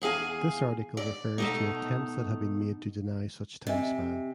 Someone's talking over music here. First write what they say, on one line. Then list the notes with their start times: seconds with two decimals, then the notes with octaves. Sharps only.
This article refers to attempts that have been made to deny such timespan.
0.02 E2 G#4 F5 G#5
0.97 D5
1.38 B2 A3 D#4
3.67 C3 D#5 E5 G#5